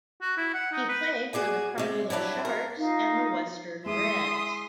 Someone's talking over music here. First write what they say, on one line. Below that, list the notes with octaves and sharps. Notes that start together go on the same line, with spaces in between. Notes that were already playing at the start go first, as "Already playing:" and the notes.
He played for the Cronulla Sharks and the Western Reds.
F#4
E4
F#5
D#4
B4
F#4 G#4 D5 G#5
C3 G#3
F#3 G3 D4 E4
A#4
D#4 F4 F5
G#3 E4 E5 C6 D#6